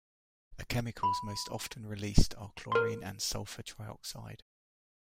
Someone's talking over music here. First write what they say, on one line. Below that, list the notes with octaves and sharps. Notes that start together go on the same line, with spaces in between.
The chemicals most often released are chlorine and sulfur trioxide.
B5
A#4 C6